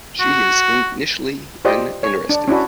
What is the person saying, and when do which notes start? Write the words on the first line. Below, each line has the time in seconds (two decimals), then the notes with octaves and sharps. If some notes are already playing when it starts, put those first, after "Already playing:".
She is initially uninterested.
0.20 F#4
1.65 F4 G4 C5 D5 D#5
2.03 C#5
2.29 D4
2.48 C#4 D4 E4 F#4